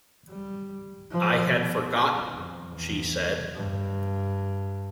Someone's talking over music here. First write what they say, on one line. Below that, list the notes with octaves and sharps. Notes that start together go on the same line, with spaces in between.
"I had forgotten," she said.
G3
F3
B2
F2
E2
G2